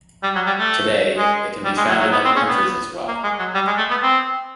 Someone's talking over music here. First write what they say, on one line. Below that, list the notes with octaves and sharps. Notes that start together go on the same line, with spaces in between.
Today, they can be found in other countries as well.
G3
F#3
G3
A3
G#3
G3
G#3
F#3
F#3
B3
C4
C#4
B3
A#3
G#3
F#3
G3
G#3
A3
B3
C4